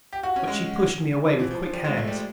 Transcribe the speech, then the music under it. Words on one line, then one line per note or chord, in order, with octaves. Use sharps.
But she pushed me away with quick hands.
G4
F#4
C#4
G#3
F3
E3
F3
F3
G3
G#3
A3
G3